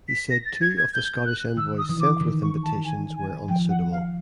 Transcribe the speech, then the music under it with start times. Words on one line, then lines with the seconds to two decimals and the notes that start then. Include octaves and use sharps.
He said two of the Scottish envoys sent with invitations were unsuitable.
0.08 B6
0.30 A#6
0.45 A6
0.61 G#6
0.77 G#6
0.93 G6
1.25 F#6
1.57 D#3 E6
1.78 D#6
1.89 E3
2.00 D6
2.21 D#3
2.42 C#6
2.63 A5
2.84 G#5
3.16 G#5
3.48 F3 G5
3.69 F#5
3.91 F5